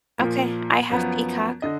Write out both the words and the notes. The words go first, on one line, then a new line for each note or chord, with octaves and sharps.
Okay, I have Peacock.
A#2 F3 A#3
F#2 F3 B3
D3 D#5